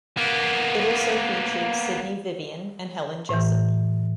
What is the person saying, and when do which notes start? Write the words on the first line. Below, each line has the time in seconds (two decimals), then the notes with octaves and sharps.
It also featured Sidney Vivian and Helen Jessop.
0.17 A#3 B3
3.29 A2 E3